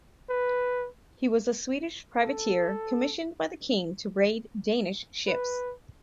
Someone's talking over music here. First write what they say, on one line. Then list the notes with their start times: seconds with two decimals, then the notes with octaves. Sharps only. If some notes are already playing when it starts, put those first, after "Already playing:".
He was a Swedish privateer commissioned by the king to raid Danish ships.
0.30 B4
2.21 A4
5.28 B4